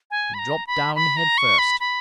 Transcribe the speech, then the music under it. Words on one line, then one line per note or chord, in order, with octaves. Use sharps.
He dropped down head first.
G#5
B5
A#5
B5
B5
A#5
C#6
B5
B5